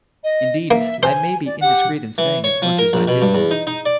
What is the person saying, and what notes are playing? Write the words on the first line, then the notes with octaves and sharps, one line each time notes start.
Indeed, I may be indiscreet in saying as much as I do.
D#5
A#3 E5
C5 G#5
D5
G4 F#5
E3
C#5
F3
A#4
A#1
B2
G2
E2
D#4
D#4
D5